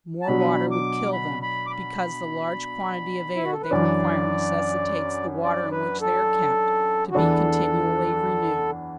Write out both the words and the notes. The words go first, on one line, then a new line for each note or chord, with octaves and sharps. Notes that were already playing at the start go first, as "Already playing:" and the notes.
More water would kill them, because the large quantity of air they require necessitates the water in which they are kept, to be continually renewed.
A5
B2 F#3 D4 B5
D6
B5
B5
D6
B5
E4
F#4
A4
B4
F#2 E3 D4 D5
D5
B4
A4
F#4
E2 E3 D4 A4